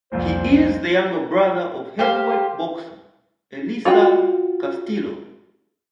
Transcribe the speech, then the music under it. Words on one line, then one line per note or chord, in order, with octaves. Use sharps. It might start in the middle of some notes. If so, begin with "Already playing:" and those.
He is the younger brother of Heavyweight boxer Elieser Castillo.
C2 F2 A#2 C5
G4 C5 F5
F4 F#4 G5